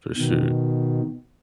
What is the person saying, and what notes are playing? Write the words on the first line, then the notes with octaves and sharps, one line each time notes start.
For sure.
B2 D#3